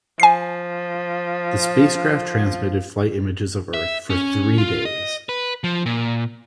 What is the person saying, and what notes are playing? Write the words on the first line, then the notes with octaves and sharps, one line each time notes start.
The spacecraft transmitted flight images of Earth for three days.
F3 G#5 C7
E5
C#4
F4
D#5
B4
F3
A#2